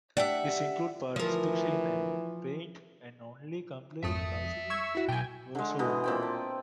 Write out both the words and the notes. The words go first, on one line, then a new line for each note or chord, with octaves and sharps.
This included part specifications and paint, and only complete bicycles were sold.
D4 G4 E5 F#5
D2 E3 F3 A#4
G#1 F2 E5 A5 D#6
C#6 E6 G#6
E4 F#4
B1 G5 G#5
D3 G#3
B2 E3 D#5
A#2 C4 G5
A5